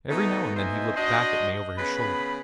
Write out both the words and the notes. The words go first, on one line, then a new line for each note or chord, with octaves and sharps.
Every now and then he looked back at me over his shoulder.
B2 D#3 A3 D#4
B2 D#4 C5 D#5 E5 G#5
D4 F#4 C5 D#5
C#3 B3 B4 B5